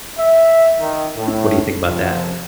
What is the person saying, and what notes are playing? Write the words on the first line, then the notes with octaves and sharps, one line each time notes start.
What do you think about that?
E5
D#3
A2
F2 C3 F3